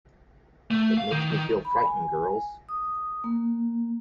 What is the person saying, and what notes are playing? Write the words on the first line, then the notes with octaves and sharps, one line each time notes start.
It makes me feel frightened, girls.
A3
F5
D#3
D#3
B5
G#5
D#6
A#3